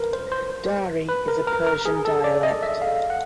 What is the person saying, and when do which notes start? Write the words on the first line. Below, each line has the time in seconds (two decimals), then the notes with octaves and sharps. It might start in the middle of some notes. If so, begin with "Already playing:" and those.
Dari is a Persian dialect.
Already playing: A#4 B4
0.13 C5
0.32 C5
1.09 B4
1.28 A#4
1.47 A#4
1.66 A#4
1.85 G#4
2.05 A4
2.24 D5
2.43 D#5
2.63 E5
2.82 F5
3.10 F#5